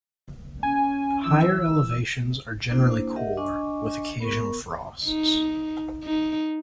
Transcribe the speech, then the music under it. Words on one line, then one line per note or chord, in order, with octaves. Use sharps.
Higher elevations are generally cooler, with occasional frosts.
C#4 G#5
E3 E6
A#3 D4 E4 C5
G4 A#4 D#5 E5 F#5
D4 D#5 G#5 C#6 D6
B3 A#4 C#6
D#4
D#4